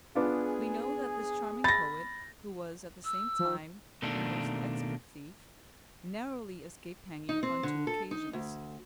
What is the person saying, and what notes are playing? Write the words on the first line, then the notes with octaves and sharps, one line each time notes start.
We know that this charming poet, who was at the same time a most expert thief, narrowly escaped hanging on two occasions.
B3 D4 F4 G#4
B5 A6 A#6
E6
F3
B2 D#3 A3 A#3 D4
D#4
C4
D3
A4
D#4
D2